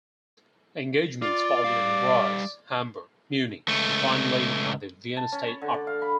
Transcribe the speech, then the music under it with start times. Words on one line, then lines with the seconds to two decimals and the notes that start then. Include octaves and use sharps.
Engagements followed in Graz, Hamburg, Munich and finally at the Vienna State Opera.
1.22 F4 D5
1.64 G3 F5
3.68 C#2 A3
5.17 A5
5.32 C#4
5.47 C#5
5.62 D3
5.74 D5
5.87 F5
6.02 B5